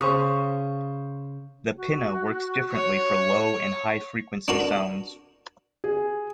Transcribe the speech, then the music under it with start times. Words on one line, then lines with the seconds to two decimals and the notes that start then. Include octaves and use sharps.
The pinna works differently for low and high frequency sounds.
0.01 C#3 C5 C#6 D#6
1.77 F#4
2.72 C#5
4.48 D4 F#4 A#4
5.84 G#4